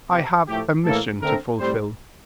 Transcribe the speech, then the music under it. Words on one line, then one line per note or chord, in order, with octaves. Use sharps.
I have a mission to fulfill.
C3 E3 A3 C4 G4
A2 F3 A3 G4
A2 E3 A#3 A4
D3 A3 C4 A#4
A2 G3 C4 C5